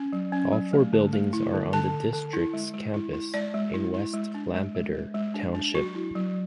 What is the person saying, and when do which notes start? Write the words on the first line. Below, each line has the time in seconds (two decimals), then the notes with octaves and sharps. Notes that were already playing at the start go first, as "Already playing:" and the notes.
All four buildings are on the district's campus in West Lampeter Township.
Already playing: C#4
0.13 F#3
0.32 C#4
0.52 F#3
0.73 A3
0.93 D3
1.13 A3
1.33 E4
1.53 D3
1.73 D3 A5
1.93 D3
2.13 D3
2.33 E4
2.54 G#3
2.74 G#3
2.94 E4
3.13 E4
3.34 G#3 D5
3.54 G#3
3.74 E4
3.94 E4
4.14 G#3
4.34 D4
4.54 G#3
4.75 G#3
4.94 G#3
5.14 G#3
5.34 D4
5.54 D4
5.75 F#3 F#4
5.95 E4
6.15 F#3